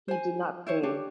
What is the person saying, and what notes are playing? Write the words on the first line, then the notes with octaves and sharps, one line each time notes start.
He did not pay.
C5 G#5
E4 C5 C#5
D4 G4 C#5